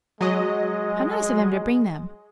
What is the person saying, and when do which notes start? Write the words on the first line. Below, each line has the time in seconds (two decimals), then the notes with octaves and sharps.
How nice of him to bring them!
0.21 F#3 G#3 D#5